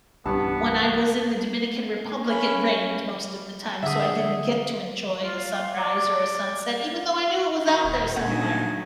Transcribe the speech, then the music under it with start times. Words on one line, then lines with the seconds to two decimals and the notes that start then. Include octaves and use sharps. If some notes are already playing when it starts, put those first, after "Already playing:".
when I was in the Dominican Republic it rained most of the time so I didn't get to enjoy a sunrise, or a sunset- even though I knew it was out there somewhere.
0.26 C2 G2 E3 G3 B3 A5
2.23 C#4 B5
3.83 D3 G#4 E5 F#5 D#6
5.23 F4
5.77 D5
7.67 D#3 F#4
7.84 D#1 E4
8.16 A#2 D3 C#4 F#5 G#5
8.30 F#3 A3 D#4